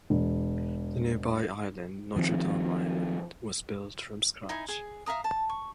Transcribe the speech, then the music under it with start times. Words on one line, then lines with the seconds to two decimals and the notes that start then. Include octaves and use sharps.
The nearby island, Notre Dame Island, was built from scratch.
0.10 E1
2.16 D#3 F3 C4
4.49 D#4 E4 G#5
4.68 G#4
5.06 E5 F5 A#5 D#6
5.24 A5
5.49 C#6